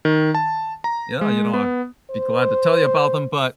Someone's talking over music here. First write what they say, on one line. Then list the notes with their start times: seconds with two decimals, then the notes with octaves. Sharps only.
yeah, you know, I'd be glad to tell you about them, but,
0.05 D#3
0.35 A5
0.84 A#5
1.21 G#3
1.54 B3
2.11 C5